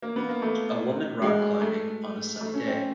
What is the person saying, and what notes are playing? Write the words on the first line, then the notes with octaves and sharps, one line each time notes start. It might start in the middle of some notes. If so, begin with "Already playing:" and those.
A woman rock climbing on a sunny day.
A#3
B3
A#3
A3
G#3
A3
A3
C#4
C4